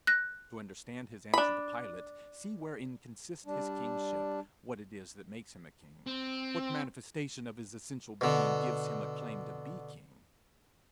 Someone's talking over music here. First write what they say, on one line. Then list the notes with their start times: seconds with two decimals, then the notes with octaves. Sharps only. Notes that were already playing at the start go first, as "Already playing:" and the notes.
To understand his answer to Pilate, see wherein consists his kingship; what it is that makes him a king; what manifestation of his essential being gives him a claim to be king.
0.07 F#6 A#6
1.34 D4 B5
3.46 G3 D4
6.07 C4
8.21 B2 D3